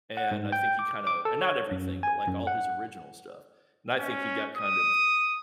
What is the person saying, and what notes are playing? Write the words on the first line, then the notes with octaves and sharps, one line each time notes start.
and I think he kinda and not everything, but, like, all his original stuff, and I think he got kind of
F#5
G#2
G5
D6
D6
A4
C#5
F#2
G#5
F#2
F#5
C#4
D#6